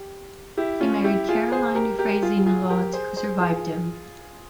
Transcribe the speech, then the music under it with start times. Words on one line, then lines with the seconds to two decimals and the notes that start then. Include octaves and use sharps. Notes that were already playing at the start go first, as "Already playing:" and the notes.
He married Caroline Euphrasie Naulot, who survived him.
Already playing: G4
0.57 E4 G4
0.80 C#4 F4
1.04 E4 G4
1.29 F4 G#4
1.52 G#4 C5
1.75 G4 A#4
1.99 G4 A#4
2.22 F4 G#4
2.46 F4 G#4
2.70 G4 A#4
2.93 G#4 C5
3.17 G#4 C5
3.40 F4 G#4